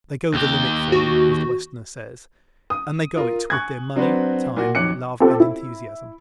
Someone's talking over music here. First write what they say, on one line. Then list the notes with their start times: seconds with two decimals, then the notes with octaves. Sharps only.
They "go the limit" for you, as the Westerner says, and they go it with their money, time, love and enthusiasm.
0.34 D#2 G4
0.92 F#4
2.70 D#6
3.17 F4 A#4
3.50 G#5 C#6 F#6 G#6
3.96 F#3 C4 D4 F#4 B4 C5
4.57 A#2 A#3 F#4
4.75 B1 F2 C#5 D6 F#6 C#7
5.20 C4 F4 G4 A4 C5
5.40 E4